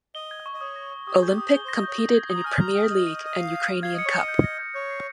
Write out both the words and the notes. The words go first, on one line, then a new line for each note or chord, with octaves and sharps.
Olimpik competed in Premier League and Ukrainian Cup.
D#5 G7
G#6
C#6
D#5
C#5 D#6
A#6
D#6
G4 D#6
G#4
G4 G6
D#6
G#4 G7
C5
A#6
D#5
C#5 G6
D#6
G#6
A#5 D#6
G#5 F6
A#5 G#6
G5 F6
D#5 G#6
D#7
D#5 G#6
F5 D#7
G#6
F6
F5 G#6
D#5 C#7
C#5
D#5 G#6
G6
A#6
G6
C#5 G6
C7